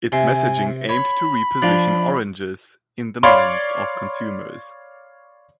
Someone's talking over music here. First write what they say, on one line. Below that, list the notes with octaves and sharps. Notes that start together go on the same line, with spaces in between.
Its messaging aimed to reposition oranges in the minds of consumers.
C3 E5 G#5 C6
C#5 B5
F3 D4 F4
C#5 D5 F5 B5 C6